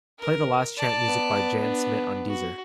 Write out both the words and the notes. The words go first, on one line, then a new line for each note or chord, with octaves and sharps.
Play the last chant music by Jan Smit on Deezer.
A#4
D5 A5
B3
D4
F#4